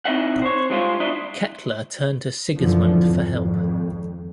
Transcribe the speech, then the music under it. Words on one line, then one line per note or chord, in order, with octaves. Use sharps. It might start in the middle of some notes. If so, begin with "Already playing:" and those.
Kettler turned to Sigismund for help.
C4 D#4 E4 D#5 E5 F#5
C5 C#5
G2 G#3 F4 C5
D4 E4 D#5
F#2 B2 D3 E3 F3
G#1 F2